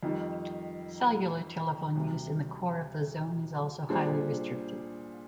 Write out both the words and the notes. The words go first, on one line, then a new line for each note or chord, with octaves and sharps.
Cellular telephone use in the core of the zone is also highly restricted.
F2 D#3 G3
D2 C3 G3
A#2 G3 D4 G#4 C5